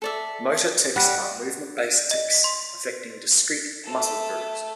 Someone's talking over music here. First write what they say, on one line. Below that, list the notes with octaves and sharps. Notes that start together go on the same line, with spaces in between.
Motor tics are movement-based tics affecting discrete muscle groups.
A4 D5 E5
G3 F#5
D5
D#5
B6
C6
A3 A4